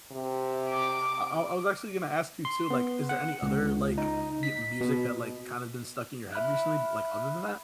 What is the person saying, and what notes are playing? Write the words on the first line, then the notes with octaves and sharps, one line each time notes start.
I I I was actually gonna ask you too, like, is there any other, like, y music that, like, kinda been stuck in your head recently, like, other than that?
C3
D6
C6
B3
F#5
C#2
D#4
B6
B2
E5 B5 F6 F#6